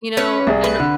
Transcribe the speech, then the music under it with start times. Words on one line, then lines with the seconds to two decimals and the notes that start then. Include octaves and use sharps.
you know, and
0.17 C#4 B4
0.47 C2 G#4
0.64 B4
0.80 D3